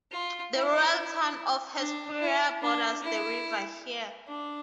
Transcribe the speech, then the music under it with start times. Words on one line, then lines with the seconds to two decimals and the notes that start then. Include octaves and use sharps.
The rural town of Hesperia borders the river here.
0.12 F4
0.53 E4
1.78 D4
2.20 E4
2.62 D4
3.03 E4
4.27 D4